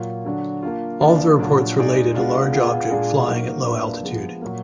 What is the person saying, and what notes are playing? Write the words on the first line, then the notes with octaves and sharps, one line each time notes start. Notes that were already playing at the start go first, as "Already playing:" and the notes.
All of the reports related a large object flying at low altitude.
Already playing: A#2 F#3 A#3 F4
D3 F#3 D4
A#3 D4 F4
F3 A#3 D4 F4
A#2 F#3 D4 F4
G#3 D#4 G#4 D5
G#3 B3 D4 F4
B3 F4 G#4
A#2 G#3 D4 F4 G#4
F#3 A#3 D#4
A#3 D4 F4 B4 D5
F3 G#3 B3
A#2 F#3 A#3